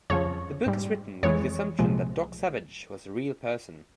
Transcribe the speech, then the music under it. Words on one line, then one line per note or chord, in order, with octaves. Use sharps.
The book is written with the assumption that Doc Savage was a real person.
F2 C#3 F3 C#5
G#2 G3
F2 E3 G#3 C#5
C2 A#2 F3 G#3